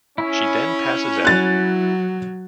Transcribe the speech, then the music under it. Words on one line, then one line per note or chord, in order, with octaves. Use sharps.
She then passes out.
C#4 E4
F#3 F#6 A6